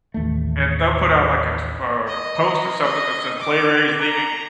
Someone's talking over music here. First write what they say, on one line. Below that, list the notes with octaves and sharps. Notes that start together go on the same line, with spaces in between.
and they'll put out, like, a, tw um, post or something that says "Player A is leaving”
A1 D#2 A3
D#5
D#5
D6
A#5